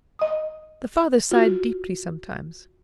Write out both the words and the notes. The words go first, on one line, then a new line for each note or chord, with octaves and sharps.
The father sighed deeply sometimes.
D#5 D#6
F4 F#4